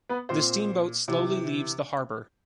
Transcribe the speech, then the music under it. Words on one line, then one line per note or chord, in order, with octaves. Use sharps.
The steamboat slowly leaves the harbor.
B3 B4
A#2 C4 C5
C3 E3